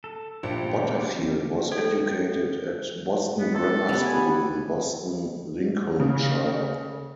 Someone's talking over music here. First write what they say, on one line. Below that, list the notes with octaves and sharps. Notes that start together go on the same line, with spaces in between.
Butterfield was educated at Boston Grammar School in Boston, Lincolnshire.
A4
A#1 F4 G4 A5
D#3
A4
B3
A4
G3 B3
G#5
C#3